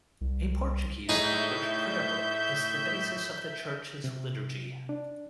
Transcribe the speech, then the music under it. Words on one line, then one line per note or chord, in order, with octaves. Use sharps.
A Portuguese language Prayer Book is the basis of the Church's liturgy.
C2
A2 D#4 G#4 B4 E5 G6
C3
D4